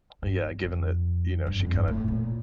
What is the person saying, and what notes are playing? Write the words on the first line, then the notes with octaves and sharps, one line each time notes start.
Yeah, given that, you know, she kind of
G2
F2
G2
F2
G2
A2
A#2